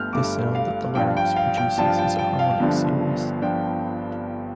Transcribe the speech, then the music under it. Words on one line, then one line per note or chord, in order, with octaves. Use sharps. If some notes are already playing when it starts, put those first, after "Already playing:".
The sound that the larynx produces is a harmonic series.
Already playing: G1 G2 D3 A3 F6 G6
G1 G2 D3 A3 D6
F5
G2 F3 D4 F4 G5
G5
F5
G5
G2 F3 D4 F4 A5
G5
G5
F5
G1 G2 D3 F3 D4
D3 F3 D4 G5